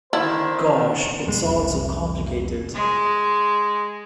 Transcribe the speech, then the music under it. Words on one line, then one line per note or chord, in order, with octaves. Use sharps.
Gosh, it's all so complicated!
D3 D#3 E4 C5
F2 B2 G#3
F1 C2
G#3